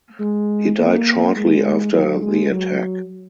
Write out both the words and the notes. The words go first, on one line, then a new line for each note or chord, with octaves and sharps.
He died shortly after the attack.
G#3
A#3
G#3
F#3
G#3
F#3